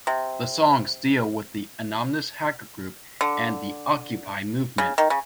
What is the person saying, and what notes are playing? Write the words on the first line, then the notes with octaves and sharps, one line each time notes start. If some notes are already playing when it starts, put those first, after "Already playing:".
The songs deal with the Anonymous hacker group and the Occupy movement.
C3
D3
C#3
D#3
C#3